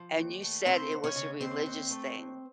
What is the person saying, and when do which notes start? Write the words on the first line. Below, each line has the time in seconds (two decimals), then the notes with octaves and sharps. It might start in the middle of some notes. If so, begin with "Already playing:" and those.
and you said it was a religious thing
Already playing: F3
0.17 D#2
0.42 A3
0.66 C#3 C4 C5
0.92 D#2
1.04 C#4 C#5
1.16 C#3
1.41 D#2 C4 C5
1.66 D#2
1.91 A3
2.15 D#2